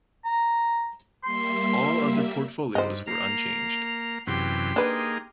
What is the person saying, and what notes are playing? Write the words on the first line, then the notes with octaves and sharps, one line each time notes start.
All other portfolios were unchanged.
A#5
G3 A#3 E5 C6
G2 D#4 C5
A#3 A#5 C7 F7
F#2 C3 E3 G4 C6
A#3 D4 D#4 G#4 B4